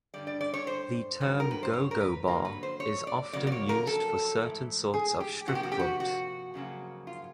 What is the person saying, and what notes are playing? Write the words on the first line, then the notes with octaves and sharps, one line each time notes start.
The term go-go bar is often used for certain sorts of strip clubs.
G2 D3 G3 D5
D5
D5
C#5
C5
G2 D#3 F#3
A#4
B4
C5
C#5
A#4
B4
F2 D3 F#3 A#3 A#4
B4
C5
C#5
D5
F2 C#3 F#3 A#3 D5
D5
C#5
A#4
A4
G#2 E3 A3
G#4
G4
C3 F3 A#3 F#4
G4
F#4
G4
F#4
F#4
F2 C#3 F#3 A#3
F4